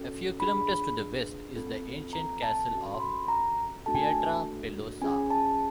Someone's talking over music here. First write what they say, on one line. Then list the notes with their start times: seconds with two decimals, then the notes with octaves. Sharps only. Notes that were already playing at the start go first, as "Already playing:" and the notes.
A few kilometers to the west is the ancient castle of Pietrapelosa.
Already playing: C#4 F#4 A4
0.40 D4 F4 G#4 B5
1.56 C4 F4 A4
2.13 A#5
2.43 A5
2.71 C#4 F#4 A4
2.94 C6
3.00 B5
3.28 A#5
3.86 A3 D4 F#4 A4 A5
3.95 G#5
4.03 A5
5.02 C#4 F4 G#4 G#5
5.31 A5